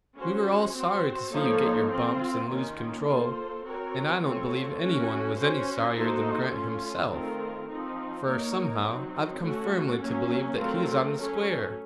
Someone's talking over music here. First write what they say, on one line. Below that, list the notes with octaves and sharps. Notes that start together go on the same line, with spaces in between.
We were all sorry to see you get your bumps and lose control, and I don't believe any one was any sorrier than Grant himself; for, somehow, I've come firmly to believe that he's on the square.
C#4 F#4 C5
C4 F#4 C5
F3 A#3 D#4 A4 C#5
C4 F4 C5
D#3 A#3 C#4 F4
A#3 F4 A4 C5
C4 F#4 A#4 C#5
A3 C4 F4 A4 C#5
A3 C#4 F#4
C#4 F#4 C5
A#3 D#4 F#4 A4 C5
A3 C#4 F4
D#3 A3 C4 F4 A#4
F3 C4 D#4
A#3 D#4 A#4 C#5
F#3 C4 D#4
A3 C#4 F#4
F#3 A#3 C#4
F#3 A3 C4 F4 A#4
F#3 A3 C#4